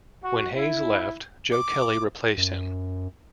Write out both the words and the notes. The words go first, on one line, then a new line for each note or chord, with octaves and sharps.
When Hays left, Joe Kelly replaced him.
F#4
E4
D6
F#2